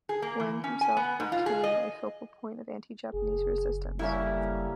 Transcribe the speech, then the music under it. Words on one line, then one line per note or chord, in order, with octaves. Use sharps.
Wang himself became a focal point of anti-Japanese resistance.
G#4
A#3
E3
C#4
G#5
B3
G#2
F4
G#4
D#5
F#1 G#4
A2 G3 A#3 C#4 E4 E5